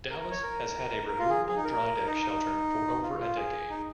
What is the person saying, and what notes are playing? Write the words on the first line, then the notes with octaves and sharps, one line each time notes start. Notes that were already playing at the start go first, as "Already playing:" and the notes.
"Dallas" has had a removable Dry Deck Shelter for over a decade.
A#4
A#4
C#5
A#4
A#4
F4
G#4
G#4
D#4
A#4
D#4
D#4
F4
F4
G#4
D#4